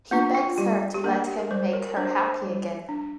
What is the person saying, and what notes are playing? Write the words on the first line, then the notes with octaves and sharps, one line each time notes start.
He begs her to let him make her happy again.
A#3 D4 F4
F4
G3 G4
G4
A#3 D4 A#4
G4
A#4
G3 C5
A#4
A#4
D4 C5
C5
G3
D4